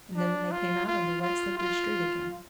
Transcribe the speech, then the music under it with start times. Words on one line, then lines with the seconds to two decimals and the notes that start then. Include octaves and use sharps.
And then they came out on the wet, slippery street again.
0.16 D4
0.51 F4
0.86 F4
1.21 F4
1.57 F4